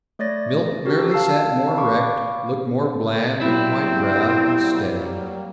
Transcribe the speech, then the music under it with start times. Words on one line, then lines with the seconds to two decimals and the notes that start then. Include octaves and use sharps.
Milt merely sat more erect, looked more bland and white-browed and steady.
0.19 A3 C#5 D5 A6 A#6
0.85 F#4 G4 A4 A#4
1.12 F5 A5 E6 C7
1.77 F5 B5 C#6 D6
3.41 F#3 G3 A#3 C4 E4